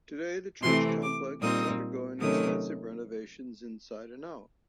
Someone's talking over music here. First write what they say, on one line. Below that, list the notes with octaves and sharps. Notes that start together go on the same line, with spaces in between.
Today the church complex is undergoing extensive renovations inside and out.
C3 E3 A3 C4 C6
D6
A#2 G3 C4 D#4 D#6
C3 D#3 F#3 A3 C#4 D#6